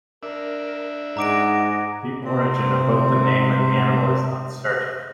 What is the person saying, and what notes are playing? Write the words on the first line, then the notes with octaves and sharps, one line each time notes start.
The origin of both the name and the animal is uncertain.
D4 A#4 E5
G#2 G#4 D#5 F#5 A#5 D6 D7
C3 C4